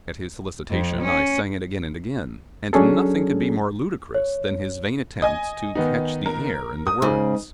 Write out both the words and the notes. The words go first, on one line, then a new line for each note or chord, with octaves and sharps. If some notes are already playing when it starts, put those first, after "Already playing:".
At his solicitation I sang it again and again, and nothing could be more ludicrous than his vain attempts to catch the air and the words.
F2
C#4
F#3 C#4 D4 G#4 A4
C#5
D#5 G#5
D#3 B3 D#4
A#4
D#6
G#2 C#3